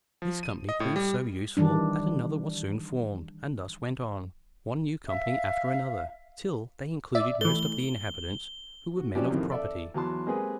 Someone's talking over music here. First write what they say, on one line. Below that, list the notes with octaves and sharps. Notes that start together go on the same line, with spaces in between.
This company proved so useful, that another was soon formed; and thus went on, one new company after another, till they included most of the inhabitants who were men of property.
F3
D#7
D#5
A2
G3
D#3 E3 G3 D4
E5 F5
D5 E5
E3 A3 G7
F#4
F3 F#3 C4 C#4 G4 D5
F2 A2 C3 D#3
A4 D5 E5
E2 F#3 A5 C6
G#3 A#3 C4 G4 G#4 B4